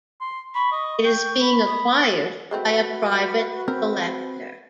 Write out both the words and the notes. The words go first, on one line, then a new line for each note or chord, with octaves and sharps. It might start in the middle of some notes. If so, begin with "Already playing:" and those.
It is being acquired by a private collector.
C6
B5 C#6
D#5
G5 C#6
B5
D#6
G#3 A3 C4 F#4 B4
C4 A#4